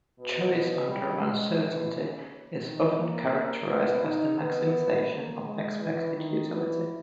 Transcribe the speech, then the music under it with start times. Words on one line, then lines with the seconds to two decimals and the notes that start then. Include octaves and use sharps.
Choice under uncertainty is often characterized as the maximization of expected utility.
0.19 B2
0.54 B2
0.88 G3
1.23 G#3
1.59 E3
1.93 C#3
2.65 D#3
2.98 A#3
3.69 B3
4.04 D#4
4.39 B3
5.10 A#3
5.45 G#3
5.80 E3
6.15 D#3
6.50 E3